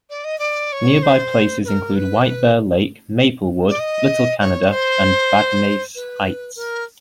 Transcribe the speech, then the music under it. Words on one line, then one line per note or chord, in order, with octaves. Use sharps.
Nearby places include White Bear Lake, Maplewood, Little Canada, and Vadnais Heights.
D5
D#5
D5
C#5
C5
B4
A#4
B4
D5
D#5
C#5
C5
B4
A#4